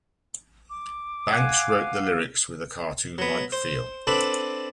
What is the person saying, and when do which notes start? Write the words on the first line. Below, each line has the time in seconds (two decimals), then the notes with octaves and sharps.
Banks wrote the lyrics with a cartoon-like feel.
0.70 D6
1.33 F5 F#5 G#5
3.18 F#3 B3
3.52 C5
4.07 C4 D4 A4 B4 D5